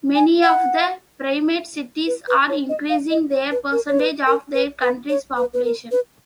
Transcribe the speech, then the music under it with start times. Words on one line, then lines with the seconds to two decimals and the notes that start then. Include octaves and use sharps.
Many of the primate cities are increasing their percentage of their country's population.
0.15 G#5
0.43 F#5
2.07 B4
2.28 B4
2.49 C#5
2.69 D#5
2.90 F5
3.10 D#5
3.31 C#5
3.52 B4
3.72 A#4
3.89 C#5
4.00 B4
4.27 A#4
4.54 B4
4.82 B4
5.09 C#5
5.37 B4
5.54 B4
5.64 A#4
5.91 B4